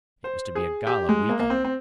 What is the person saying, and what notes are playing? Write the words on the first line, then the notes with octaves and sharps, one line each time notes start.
It was to be a gala weekend.
C5
G#4
G4
G#3
A#3
A#3
C4
C4